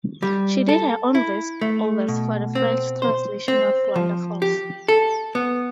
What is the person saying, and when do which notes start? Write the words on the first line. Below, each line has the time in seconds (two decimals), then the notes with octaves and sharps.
She did her own voice-overs for the French translation of "Wonderfalls".
0.22 G3
0.69 A4
1.15 E4
1.61 A3
2.08 B2
2.55 C4
3.02 C5
3.48 C4
3.96 F3
4.42 G4
4.88 A4
5.35 B3